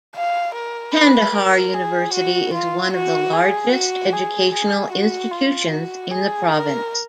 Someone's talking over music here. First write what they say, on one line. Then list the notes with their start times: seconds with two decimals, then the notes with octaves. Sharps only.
Kandahar University is one of the largest educational institutions in the province.
0.16 F5
0.55 A#4
0.94 B4
1.34 A#4
1.74 G#4
2.13 F#4
2.54 F4
2.93 F#4
3.33 G#4
3.73 F#4
4.12 G#4
4.52 G#4
4.92 F#4
5.31 F4
5.71 F#4
6.11 G#4
6.51 A#4